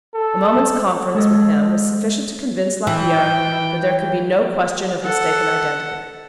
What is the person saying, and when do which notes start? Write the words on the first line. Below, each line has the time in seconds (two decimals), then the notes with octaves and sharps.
A moment's conference with him was sufficient to convince Lapierre that there could be no question of mistaken identity.
0.14 A4
1.15 G#3 A4 C#5 D#5
2.87 E3 G5
5.03 A4 F#5